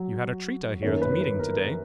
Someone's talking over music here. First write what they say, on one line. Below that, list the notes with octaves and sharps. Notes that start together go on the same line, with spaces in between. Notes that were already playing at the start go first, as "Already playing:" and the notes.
"You had a treat, I hear, at the meeting to-day?"
Already playing: F#3
F#2 D#3 A#3 C#5
B4
B4
A#4
A#4